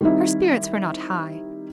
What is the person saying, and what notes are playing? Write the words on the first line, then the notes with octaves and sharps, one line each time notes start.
Her spirits were not high.
D#3 G3 C4 D#4 E4